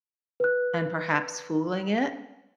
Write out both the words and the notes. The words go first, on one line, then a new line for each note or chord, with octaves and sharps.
and perhaps fooling it
B4 F#6